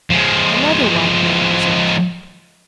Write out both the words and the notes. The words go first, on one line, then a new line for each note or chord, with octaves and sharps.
Another white man was in camp.
F3 G#3